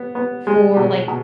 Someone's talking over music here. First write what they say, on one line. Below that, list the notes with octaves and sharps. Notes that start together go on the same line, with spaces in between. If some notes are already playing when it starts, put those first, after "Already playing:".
for, like,
Already playing: B3
B3
G#3
B2
B2